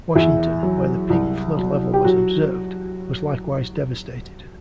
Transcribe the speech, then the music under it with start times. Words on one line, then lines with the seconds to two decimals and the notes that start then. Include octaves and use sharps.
Washington, where the peak flood level was observed, was likewise devastated.
0.15 E2 E4
0.63 F#3
1.10 C2
1.57 F#3
1.93 G4
2.04 F#3 F#4